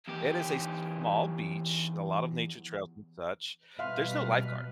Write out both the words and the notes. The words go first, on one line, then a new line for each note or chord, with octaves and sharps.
it is a small beach, and a lot of nature trails and such. There's no lifeguard.
E2 G4
B2 G3 B4 E5 F5 C6 F6